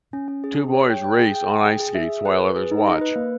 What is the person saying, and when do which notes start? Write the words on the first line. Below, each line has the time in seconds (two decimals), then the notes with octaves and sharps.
Two boys race on ice skates while others watch.
0.13 C#4
0.28 C#4
0.44 G#4
0.59 G#4
0.74 C#5
0.90 G5
1.04 G5
1.19 G#4
1.35 G5
1.50 G5
1.65 G#4
1.80 G#4
1.95 E5
2.10 G#4
2.25 B4
2.40 B4
2.56 G#4
2.71 D#4
2.86 D#5
3.01 B4
3.16 A#3